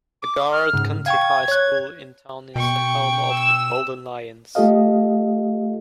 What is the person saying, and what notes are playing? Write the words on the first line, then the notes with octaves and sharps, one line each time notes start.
The Garrard County High School in town is the home of the "Golden Lions".
D6
F6
G#2 C#3
F5 G5 C#6 G#6
C#5 F#6
B2 G5 C#6
E6
A3 F4 G4 A4 D#5 F5